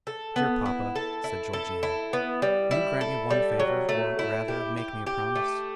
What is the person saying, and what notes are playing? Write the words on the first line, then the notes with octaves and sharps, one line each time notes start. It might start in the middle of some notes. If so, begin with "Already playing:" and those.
"Dear papa," said Georgiana, "will you grant me one favour; or, rather, make me a promise?"
A4
B3
E4
A4
E4
A4
E4
B3
G3
E4
A4
G3
F#3
A3
E4
G4
G4
G4
A3